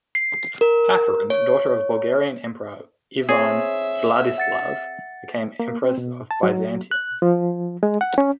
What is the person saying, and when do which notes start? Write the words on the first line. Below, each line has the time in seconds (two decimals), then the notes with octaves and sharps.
Catherine, daughter of Bulgarian Emperor Ivan Vladislav, became empress of Byzantium.
0.15 C7
0.61 A#4
1.30 C#5
3.29 C4 G#4 C#5 E5
4.38 F#5 A6 C#7
5.60 A#3
5.84 C4
5.98 B2
6.31 A5
6.43 F#3
6.91 F#6
7.22 F3
7.83 G#3
8.01 F#5
8.18 C#4